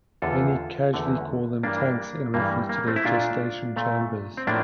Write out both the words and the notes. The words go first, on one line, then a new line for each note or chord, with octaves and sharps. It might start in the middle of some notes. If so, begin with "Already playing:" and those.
Many casually call them "tanks" in reference to their gestation chambers.
E2 D3 A3 F4 A4
E2 D3 A3
G2 E3 G3 A#3 D4
G2 E3 G3 A#3
A#3
A3 C4
E4
A#2 A3 D4 F4
A#2 A3
C4
A2 F3 A3 A#3 D4